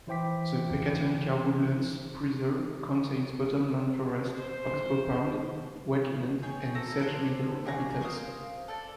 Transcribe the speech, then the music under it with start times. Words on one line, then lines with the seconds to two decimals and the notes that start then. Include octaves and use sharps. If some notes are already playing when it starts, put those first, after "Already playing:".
The Pecatonica Woodlands Preserve contains bottomland forest, oxbow pond, wetland, and sedge meadow habitats.
0.07 E3 E4 C5 G5 D6 B6
4.32 C5
6.43 G#4 C#5 G5
6.75 A4 B4 A#5
6.99 D4 A4 B4 C5
7.65 G4 G#4 A#5 C#6
8.01 A#4 C5 F5 D#6
8.68 A4 D5